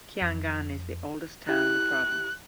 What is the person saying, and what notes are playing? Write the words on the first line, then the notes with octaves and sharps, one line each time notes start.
Kiangan is the oldest town in the province.
F2
E4 G4 F#6